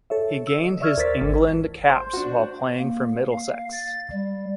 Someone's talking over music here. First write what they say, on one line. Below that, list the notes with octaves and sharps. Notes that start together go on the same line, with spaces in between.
He gained his England caps while playing for Middlesex.
A4 C#5 E5
E6
D#5
D5 E5 C#6 E6 F6 G#6
D#2 A#4 C5 D5 A6 B6
G#1
C5
D4 F#4
A#3
F5
A6
G3